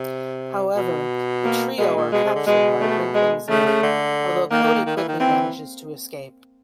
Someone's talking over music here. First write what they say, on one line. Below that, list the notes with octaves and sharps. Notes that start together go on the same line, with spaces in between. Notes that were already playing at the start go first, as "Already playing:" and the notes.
However, the trio are captured by Brinkman's men, although Cody quickly manages to escape.
Already playing: C3
B2
A#3
B2 G#3
A#2
B2 G#3
C3
D3
B2 G#3
A3
G#3
C#3 A3
C#3
D3
D#3 A#3
D#3
D#3
D#3
E3
D#3
E3 C4